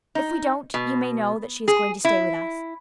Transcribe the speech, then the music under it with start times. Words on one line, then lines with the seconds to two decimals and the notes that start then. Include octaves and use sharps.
If we don't you may know that she is going to stay with us.
0.15 D#4
0.74 B2
1.68 G#4
2.05 E4